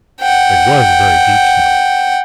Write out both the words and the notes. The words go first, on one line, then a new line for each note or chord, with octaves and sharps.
It was a very deep snow.
F#5 G5